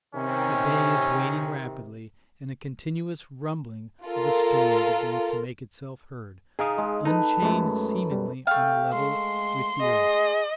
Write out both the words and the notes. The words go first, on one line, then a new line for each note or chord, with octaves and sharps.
The day is waning rapidly, and a continuous rumbling of a storm begins to make itself heard, unchained seemingly on a level with the earth.
C3 D#3 C#4
F4 A4 A#4
D#4 G#4 F5 D#6
G#3
D#4 A4 B4
F#2 G#3 A3
G3
A3 F5 G5
G#3 C6
G#4 D#5